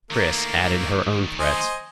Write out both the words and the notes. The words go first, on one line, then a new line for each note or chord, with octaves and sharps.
Chris added her own threats.
D#3 A3 A#3
C5 D#5 G#5